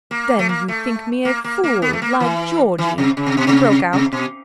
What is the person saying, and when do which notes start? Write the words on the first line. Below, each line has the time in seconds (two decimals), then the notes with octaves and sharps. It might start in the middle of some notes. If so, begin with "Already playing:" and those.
'Then you think me a fool, like Georgey?' he broke out.
0.11 A#3
0.39 A3
0.49 A#3
0.68 A3
1.25 A#3
1.44 A#3
1.63 A#3
1.82 B3
1.93 A3
2.02 A#3
2.20 E3
2.78 E3
2.98 C3
3.17 C#3
3.26 C3
3.37 B2
3.47 C3
3.93 C3
4.12 B2